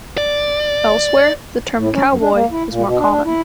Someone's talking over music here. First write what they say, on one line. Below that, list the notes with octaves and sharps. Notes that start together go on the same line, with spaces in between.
Elsewhere, the term "cowboy" is more common.
D5
A2
C#4
F#2
D4
A#3
E4
A#2
B2
D4
D4
E4